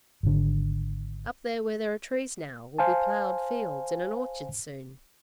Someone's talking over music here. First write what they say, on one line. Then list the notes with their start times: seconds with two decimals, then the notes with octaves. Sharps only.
Up there where there are trees now will be ploughed fields and an orchard soon.
0.23 G#1 D3
2.79 C5 F5 G#5 A5